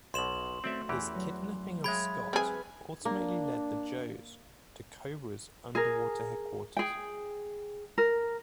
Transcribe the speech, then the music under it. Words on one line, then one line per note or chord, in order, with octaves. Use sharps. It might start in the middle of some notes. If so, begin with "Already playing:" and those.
His kidnapping of Scott ultimately led the Joes to Cobra's underwater headquarters.
B1 B2 C6 E7 F#7
A3 C4 C#4 F#4 D5 E5
E2 E3 G4
F#3
G#3 G#4 C#5 E5 G5 B5 G#6
C4 G#4 B4 F6
A#3 D4
G#4 A#4
G#4 G5
A#4